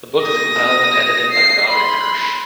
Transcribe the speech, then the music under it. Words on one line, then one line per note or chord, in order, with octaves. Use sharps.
The book is compiled and edited by Robert Kirsch.
D#6 A#6
C7
B5 C6